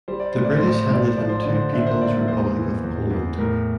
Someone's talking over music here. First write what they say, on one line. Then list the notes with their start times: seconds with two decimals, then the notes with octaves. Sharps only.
The British handed him to People's Republic of Poland.
0.08 G3 C5
0.20 D5
0.32 A2 C5
0.44 D5
0.57 C5
0.63 A2 D5
0.81 C5
0.90 A2 D5
1.05 C5
1.17 F3 D5
1.29 C5
1.42 D3 D5
1.54 C5
1.73 D4 E5
1.87 C5
2.00 A#3 D5
2.15 E5
2.28 E2 C5
2.56 E3
2.84 E2
3.11 E2
3.38 A2 A#4